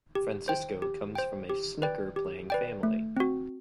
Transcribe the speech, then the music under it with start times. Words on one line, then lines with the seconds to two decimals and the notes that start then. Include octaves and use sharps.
Francisco comes from a snooker-playing family.
0.15 G4
0.48 C5 G5
0.82 G4
1.15 C5 G5
1.50 G4
1.82 B4 D5 G5
2.16 G4
2.50 B4 D5 G5
2.83 A3
3.17 C4 F#4